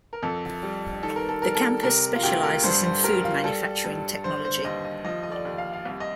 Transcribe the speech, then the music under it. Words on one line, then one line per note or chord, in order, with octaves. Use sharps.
The campus specialises in food manufacturing technology.
A#4
F2 A4
G3
D#3 A4
A#4
A4
G3 A#4
A4
C3 A#4
F4
D2 G4
A#4
G2 C5
C5
G3 A#4
F4
G3 A4
G2
D3 C5
C5
D#2 D#5
D#5
F3 D#5
D#5
D5
D#2
F5
F5
C2
D#5